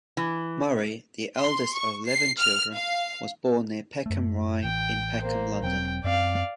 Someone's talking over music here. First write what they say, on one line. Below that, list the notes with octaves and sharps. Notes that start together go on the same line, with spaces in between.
Murray, the eldest of eleven children, was born near Peckham Rye in Peckham, London.
E3
C6
C#6
C7
F6
F5
F#2 A3
A1 E3 G5
A#3 C5
E1 F#3 C4 G5
F#2 C4 D5 F5